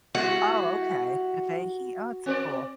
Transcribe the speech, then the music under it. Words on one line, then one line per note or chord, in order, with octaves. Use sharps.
Oh okay, "Dhivehi," oh it's cool.
G3 E4 F#4
C4 A#4 D5